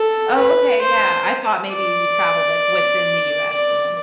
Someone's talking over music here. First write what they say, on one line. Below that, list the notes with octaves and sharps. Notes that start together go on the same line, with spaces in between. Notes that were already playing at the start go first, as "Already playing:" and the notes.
Oh, okay, yeah. I thought maybe you traveled, like, within the US and then
Already playing: A4
B4
C5
D5
D5